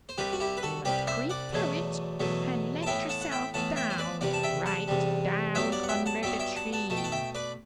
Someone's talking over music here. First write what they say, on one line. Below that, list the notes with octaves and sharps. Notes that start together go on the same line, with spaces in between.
You must creep through it and let yourself down, right down under the tree.
C5
C2 C3 G3 G4 B4
F#4
E4 G4
B4
F#4 A4
C2 C3 G3 G4 B4
C5 E5
D5 F#5
E2 B2 F#3 A3
E2 B2 F#3 A3
A5
A2 E3 B3 E5 G5
F#5 A5
F#5
E5 G5
A2 E3 B3 F#5 A5
E5 G5
C5
B4 D5
E2 C3 G3 D5 F#5
A5
E5 G5
F#5 A5
E2 C3 G3
G2 F#3 B3 E5 G5
D5 F#5
F#5
E5 G5
F#5 A5
G2 F#3 B3 E5 G5
E5 G5
F#5 A5
F#5 A5
B2 A3 A5
G5
F#5 A5
E5 G5
B4 D5